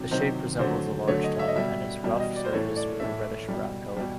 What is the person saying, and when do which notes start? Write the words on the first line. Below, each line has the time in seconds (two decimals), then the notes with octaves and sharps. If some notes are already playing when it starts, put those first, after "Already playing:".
The shape resembles a large tongue, and it is rough-surfaced with a reddish-brown colour.
Already playing: C3 D#3 F#3
0.11 C3 D#3 F#3 C5
0.59 D3 F#3 A3 C5
1.08 D3 F#3 A3 C#5
1.24 D#5
1.39 E5
1.48 D#5
1.55 B2 G3 E5
2.04 B2 G3
2.20 D#5
2.36 D5
2.45 C5
2.52 A2 E3 A3 C#5
2.77 D5
3.00 A2 E3 A3 E5
3.48 B2 G3
3.97 B2 G3